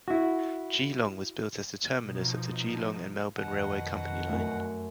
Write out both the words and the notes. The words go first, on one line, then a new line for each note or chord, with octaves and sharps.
Geelong was built as the terminus of the Geelong and Melbourne Railway Company line.
E4 F#4
B2 F3 D#4
F2 B2 D#3 F#5
F#2 A3